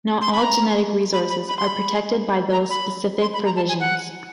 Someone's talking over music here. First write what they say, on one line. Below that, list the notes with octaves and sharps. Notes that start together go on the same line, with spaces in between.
Not all genetic resources are protected by those specific provisions.
C6
B5
A#5
B5
B5
B5
C6
B5
A#5
B5
C6
B5
A#5
A5
G#5
F#5